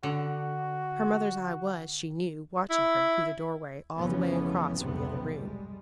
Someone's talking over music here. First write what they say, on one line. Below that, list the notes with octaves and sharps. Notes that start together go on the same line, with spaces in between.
Her mother's eye was, she knew, watching her through the door-way all the way across from the other room.
D3 F#4
E4
F1 C#3 E3 F3 B3 C#4
B1 F2 G#2 C3 B3 C4
G3 G#3